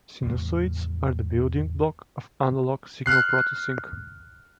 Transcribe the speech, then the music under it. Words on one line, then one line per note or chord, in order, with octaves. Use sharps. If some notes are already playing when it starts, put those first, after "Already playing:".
Sinusoids are the building block of analog signal processing.
E2 A2 C#3 F3
F6 F#6 C7